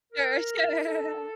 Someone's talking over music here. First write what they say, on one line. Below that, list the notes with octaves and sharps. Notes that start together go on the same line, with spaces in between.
Sure, sure.
A#4
A4